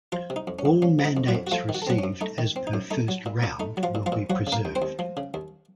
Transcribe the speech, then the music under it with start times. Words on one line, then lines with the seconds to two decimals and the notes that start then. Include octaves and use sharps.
All mandates received as per first round will be preserved.
0.12 F3 F4
0.30 C3
0.36 D#4
0.47 F2
0.59 C#4
0.65 F2
0.82 F3 C#4
0.99 C3
1.05 D#4
1.17 F2
1.28 F#3 F#4
1.35 F2
1.47 F#4
1.51 F3 A3 F4
1.69 D#3
1.75 F#4
1.82 A4
1.87 F#3 C4 F#4
1.99 C#4
2.04 F#2
2.21 A3 D#4
2.38 D#3
2.56 C4
2.67 D#4
2.74 F#2
2.91 A3 D#4
3.08 F#3
3.26 A#2
3.43 A#2
3.60 A3 D#4
3.77 F#3
3.83 F3 F4
3.95 A#2
4.06 F3 F4
4.12 A#2
4.30 F3 F#3 F#4
4.47 C#3
4.52 A#3 A#4
4.65 D#2
4.75 C4 C5
4.82 D#2
4.99 F3
5.17 C#3
5.34 D#2